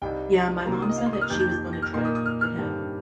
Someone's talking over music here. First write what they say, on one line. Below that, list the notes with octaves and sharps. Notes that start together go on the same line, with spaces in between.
Yeah, my mom said that she was gonna try to talk to him
C2 C3 G3 D#4 G5
C6
C3 D#3 A#3 F4 A#4 A#5
C6
D#6
D#5
F5
C6
D#6
F6
F2 D#3 A#3 G4 A#4 G6
G6
G6
A#6
F6
A#2 A#3 D#4 A#4 C6
D#6
D#6
F6
F6
G2 D#3 G3 C4